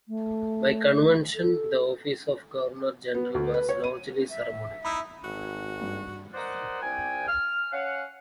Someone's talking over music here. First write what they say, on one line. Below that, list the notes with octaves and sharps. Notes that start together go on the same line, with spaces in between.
By convention, the Office of Governor-General was largely ceremonial.
A3
A4
B3
D2
B4
C#5
D#7
E5
D#4 E4 B5 E6
G#1 F#4
G2
A#4 C5 D5 D#5 F#5
C2 G5 G#5
F6
C#4 F5 F#5